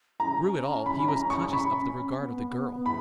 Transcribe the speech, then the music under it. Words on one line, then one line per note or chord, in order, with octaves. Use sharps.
Through it all he was conscious of the regard of the girl.
C#4 A#5
B5
A#5
C#6
B5
B3
B5